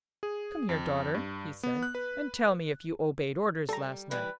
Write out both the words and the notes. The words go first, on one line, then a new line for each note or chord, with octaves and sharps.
"Come here, daughter," he said, "and tell me if you obeyed orders last night."
G#4
F2
G2
B3
F#6
B4
G3 A4 A#5
E3 G3 B4